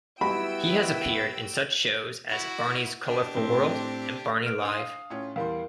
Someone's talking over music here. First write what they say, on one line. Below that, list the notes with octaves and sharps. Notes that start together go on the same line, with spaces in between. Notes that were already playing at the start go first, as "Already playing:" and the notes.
He has appeared in such shows as Barney's Colorful World and Barney Live!
G3 B3 E4 F#4 G5 B5 E6
E4 F#4
D4 G4
A2 C4
B4 F6 D7
D4 F#5 C6 D#6
F5
A2 C#4 F4
E2 G3 E4 A#4 F5 C6